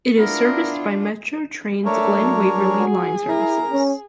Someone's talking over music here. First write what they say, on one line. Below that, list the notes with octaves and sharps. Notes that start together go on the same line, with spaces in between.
It is serviced by Metro Trains' Glen Waverley line services.
B3 D4 E4 F4 A#4
A3 D4 A#4 C#5
F#3
G#4
F#4
E4 A#4 A#5
C#4